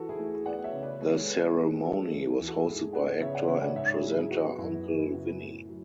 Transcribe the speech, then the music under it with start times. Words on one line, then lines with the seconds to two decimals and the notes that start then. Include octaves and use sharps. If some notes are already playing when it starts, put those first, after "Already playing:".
The ceremony was hosted by actor and presenter Uncle Vinny.
Already playing: E3 F#4 A4
0.09 E4 G#4
0.19 A3
0.46 B3 D5 F#5
0.64 C#5 E5
0.73 C#3
0.83 B4 D5
1.00 G#3 A4 C#5
1.19 G#4 B4
1.29 B3
1.38 B4 D5
1.56 A2 G#4 B4
1.78 G#4
1.83 B3 F#4 A4
2.11 E2 E4 G#4
2.29 E4 G#4
2.38 E2
2.47 F#4 A4
2.66 G#2 E4 G#4
2.93 B3 D5 F#5
3.20 C#3 C#5 E5
3.35 D5 F#5
3.48 C#3 C#5 E5
3.62 D5 F#5
3.76 G#2 C#5 E5
3.94 E4 G#4
4.03 F#3
4.12 E4
4.31 B3 F#4
4.58 F#2 E4
4.86 B3 E4
4.99 E4
5.13 C#3 F#4
5.27 E4
5.41 A2
5.69 F#3